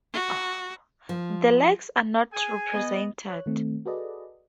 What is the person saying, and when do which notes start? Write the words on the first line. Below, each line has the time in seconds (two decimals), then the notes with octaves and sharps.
The legs are not represented.
0.13 F#4
1.09 F3
2.33 G#4 G#5
2.72 B3 D#5
3.30 C#5 F#6
3.46 D#3 A3 C4
3.86 F#4 G#4 A4 B4 D5 D#5